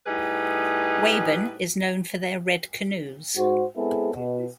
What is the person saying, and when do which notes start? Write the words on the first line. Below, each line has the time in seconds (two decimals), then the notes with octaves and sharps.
Wabun is known for their red canoes.
0.06 A2 G3 D#4 G#4 B4
3.36 G#2 F#4 C5
3.77 G#3 B3 C4 E4 G#4 A4
4.13 B2